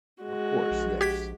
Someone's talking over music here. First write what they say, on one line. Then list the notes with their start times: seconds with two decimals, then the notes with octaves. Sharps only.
Of course, yes.
0.23 G#3 F#4
0.71 A#1
1.01 G4 G#6 B6